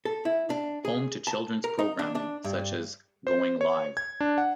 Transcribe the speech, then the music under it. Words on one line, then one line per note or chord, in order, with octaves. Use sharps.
Home to children's programming such as Going Live!
A4
E4
D4
G#4
A5
A#4
D#4
D4
D4
G2
C5
C#5
G#6
D4
F#5